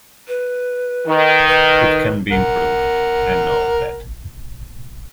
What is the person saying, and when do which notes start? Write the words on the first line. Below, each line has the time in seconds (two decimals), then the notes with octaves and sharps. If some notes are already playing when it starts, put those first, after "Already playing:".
It can be improved; I know that.
0.28 B4
1.07 D#3
1.48 B4
2.32 A#4 F#5